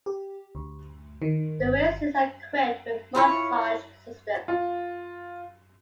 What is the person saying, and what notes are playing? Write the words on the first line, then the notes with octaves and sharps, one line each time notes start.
The rear seats are equipped with a massage system.
G4
D2
D#3
G1
E4 F4 C#5
F4